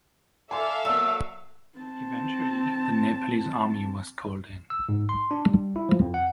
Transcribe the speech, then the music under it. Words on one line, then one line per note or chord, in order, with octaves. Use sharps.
Eventually, the Nepalese Army was called in.
A4 D5 E5 F5 G#5 C6
F#3 A#3 D5 E6
C4 A5
E6
G#2
C6
D4
G3
E4
F3
F2
F#5